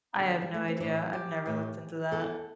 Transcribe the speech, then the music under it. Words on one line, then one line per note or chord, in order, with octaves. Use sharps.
I have no idea; I've never looked into that.
E2 D3 D4
G3
A3
C4
A2 E3 D4
G4
A2 E3
E2 E3 A4